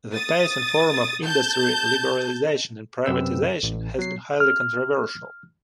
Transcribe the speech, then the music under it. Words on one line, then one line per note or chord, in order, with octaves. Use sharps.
The pace and form of industry liberalization and privatization has been highly controversial.
D#6 A6
A5 G6
F#2 C3 C4 B4 E6
A1
F#3 C7
F6